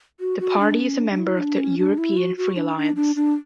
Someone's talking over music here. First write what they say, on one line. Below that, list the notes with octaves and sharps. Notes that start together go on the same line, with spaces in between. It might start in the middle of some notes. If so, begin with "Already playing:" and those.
The party is a member of the European Free Alliance.
F#4
F#4
D4
C#4
D4
D4
E4
D4
C#4
D4
E4
F#4
F#4
D4
D4
D4
D4